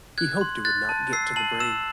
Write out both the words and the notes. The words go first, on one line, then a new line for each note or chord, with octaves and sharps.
He hoped it would not get to the brain.
F#6 G#6
C6
F#6 A6
A5
E6 C7
A5 F#7
E6 E7